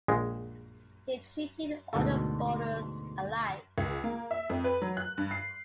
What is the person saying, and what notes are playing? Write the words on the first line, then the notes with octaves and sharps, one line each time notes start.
He treated all the bowlers alike.
A#1 G#3
D2 G#2 B2 D3 A4
C#2
A#3
E5
F2
B4
F#3
F#6
G2
C7